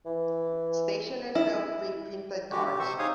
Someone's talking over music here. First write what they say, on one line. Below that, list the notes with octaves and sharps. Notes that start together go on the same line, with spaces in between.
Stationers sell preprinted cards.
E3
E4
D3 G#3 F#4 G4
G4
C3 C5 C#6 E6
D#4 G#4 C5 C#5 F5 D#6